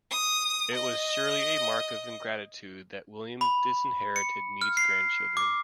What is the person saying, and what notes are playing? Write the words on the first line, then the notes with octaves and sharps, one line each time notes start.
It was surely a mark of ingratitude that William disinherited Mead's grandchildren.
D#6
D#5
B5
C#7
F6
C7
D6